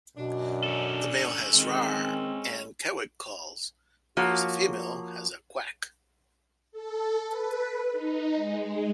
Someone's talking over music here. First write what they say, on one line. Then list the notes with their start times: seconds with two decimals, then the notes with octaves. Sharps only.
The male has "rarr" and "cawick" calls, whereas the female has a "quack".
0.17 F#2 B2 D4
0.63 C#4 A4
1.54 D#3 G#3 C4
4.17 F3 A#3 F#4 C#5
6.72 A4
7.28 B4
7.92 D#4
8.35 G#3